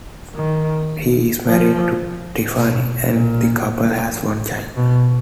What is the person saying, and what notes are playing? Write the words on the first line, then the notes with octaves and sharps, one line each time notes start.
He is married to Tiffany, and the couple has one child.
D#3
F3
B2
A#2
B2